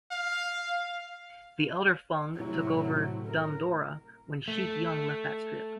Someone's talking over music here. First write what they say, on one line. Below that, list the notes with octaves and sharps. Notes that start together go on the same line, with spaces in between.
The elder Fung took over "Dumb Dora" when Chic Young left that strip.
F5
A2 C3 F#3 A3 E4
A#4
A3